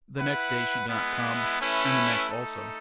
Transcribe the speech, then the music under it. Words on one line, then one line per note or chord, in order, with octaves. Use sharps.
The next day she did not come, and the next also.
E4 B4 F#5
G#3 B3 E4
A3 C#4 E4 B4
A3 D#4 A4